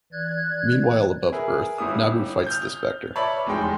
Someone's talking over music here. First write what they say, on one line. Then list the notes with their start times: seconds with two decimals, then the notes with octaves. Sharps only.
Meanwhile above Earth, Nabu fights the Spectre.
0.13 E3 D5 F#6 G#6
1.32 G#4 A#4 B4 E5
1.78 G1 G3 E4 D#6
2.47 F6 G6
3.16 B4 C#5 D5 E5 A5 B5
3.46 F1 E2 G#3 D#4 G5 C6